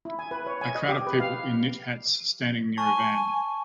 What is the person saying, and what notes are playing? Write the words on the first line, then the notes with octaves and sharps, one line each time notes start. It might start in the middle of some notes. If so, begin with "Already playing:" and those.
A crowd of people in knit hats standing near a van.
E4
G#5
B4
C#5
G#5
D#5
G4
B4
F5
G#5 A5 C#6